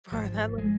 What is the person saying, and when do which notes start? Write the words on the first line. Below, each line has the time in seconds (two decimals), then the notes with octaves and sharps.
For that long
0.12 G#1 F3
0.58 G#3